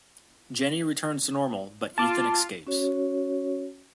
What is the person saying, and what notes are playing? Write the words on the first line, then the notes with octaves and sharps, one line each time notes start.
Jenny returns to normal, but Ethan escapes.
F4 A5 D6
C#4 F#4 C#5